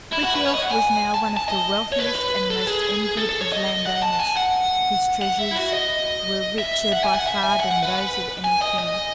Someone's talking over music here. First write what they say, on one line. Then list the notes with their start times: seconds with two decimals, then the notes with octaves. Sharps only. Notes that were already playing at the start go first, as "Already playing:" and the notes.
Frithiof was now one of the wealthiest and most envied of land-owners. His treasures were richer by far than those of any king.
0.12 E4
0.23 F#4
0.35 B4
0.46 C#5
0.54 D#5
0.63 F#5
0.71 G#5
1.14 A5
1.37 A5
1.48 D#5
1.92 C#5
1.99 B4
2.16 B4
2.50 A4
2.67 G#4
3.18 A4
3.29 A4
3.41 C#5
3.52 D#5
3.86 F#5
4.03 A5
4.20 G#5
4.37 F#5
5.22 F#5
5.39 E5
5.51 E4
5.56 F#4
5.73 D#5
6.58 E5
6.92 F#5
7.04 G#5
7.15 F#5
7.26 E5
7.43 G#5
7.60 F#5
7.71 F#5
7.83 B4
8.45 G#5
8.62 D#5
8.79 D#5